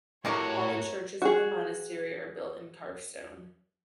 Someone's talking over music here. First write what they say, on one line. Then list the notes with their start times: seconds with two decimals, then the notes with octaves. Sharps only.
All the churches of the monastery are built in carved stone.
0.25 A2 C3 F#4 A#4 C#5 C#6
1.22 F#4 G#4